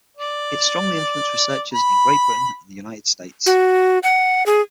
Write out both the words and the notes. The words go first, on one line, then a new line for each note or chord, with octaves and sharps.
It strongly influenced researchers in Great Britain and the United States.
D5
B5
F#4
F#5
G#4